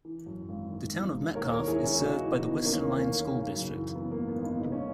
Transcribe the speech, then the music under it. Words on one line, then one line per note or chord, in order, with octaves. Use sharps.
The Town of Metcalfe is served by the Western Line School District.
E3
F#2
G#1
D#3
E2
E1
D#2 A#4 C#5
A#4 C#5
D#3
A#4
E4 G#4
D#3
C#4 E4
C#3 D#4 F#4
E2
B3 D#4
E3
D#2 A#3 C#4
D#3
A#3 C#4
D#3
C#3
F#2
E3
E3 B3
A#3
G#2
B3
G#1
B3 D#4
C#3 D#4
C#4